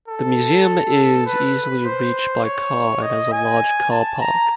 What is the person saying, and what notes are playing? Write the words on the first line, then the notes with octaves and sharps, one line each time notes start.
The museum is easily reached by car and has a large car park.
A4
B4
C5
C#5
D#5
G#5
A5
A#5